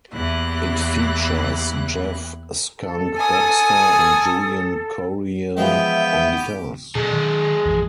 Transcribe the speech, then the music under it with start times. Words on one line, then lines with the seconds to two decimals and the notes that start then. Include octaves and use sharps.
It features Jeff "Skunk" Baxter and Julian Coryell on guitars.
0.13 E2 A#3 E4 G4 F#6
2.79 A4
3.18 G#5 D#6
5.57 E3 F3 G#3 B3 E5 G5
6.37 G4 D6
6.95 B2 G#3 A4
7.11 D#3
7.65 A#1 F#2 E3